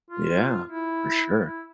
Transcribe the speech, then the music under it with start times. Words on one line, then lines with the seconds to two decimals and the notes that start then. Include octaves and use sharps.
Yeah. For sure.
0.10 F4
0.69 E4
1.44 E4